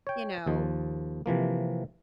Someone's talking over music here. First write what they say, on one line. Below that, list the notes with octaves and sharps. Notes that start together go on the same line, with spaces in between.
you know
C#5 G5
D#2 F3
C3 E3 F3 A#3